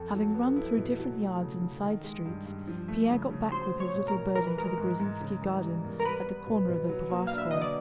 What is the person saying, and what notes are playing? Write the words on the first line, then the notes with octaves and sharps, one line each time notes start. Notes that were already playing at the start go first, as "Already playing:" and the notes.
Having run through different yards and side streets, Pierre got back with his little burden to the Gruzinski garden at the corner of the Povarskoy.
Already playing: F2 A4
F#3
B3
E4
B2
F#3
A3
C#3
C#3
D#3
G#3
G2
G2
F3
A3
C#3
C#3
F#3 C5
A3
C#5
B2
A#4
B2
E3 A#4
B4
G#3 A#4
G#2
G#2
C#3
E3
G3
E2
A#4
G3 B4
B3
B2
B2
F#3
A#3
D4 F5
E5
D3 D#5
D5